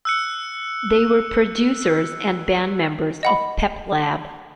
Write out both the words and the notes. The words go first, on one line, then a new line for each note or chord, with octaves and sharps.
They were producers and band members of Peplab.
E6 F#6 C#7
D#5 F#5 B5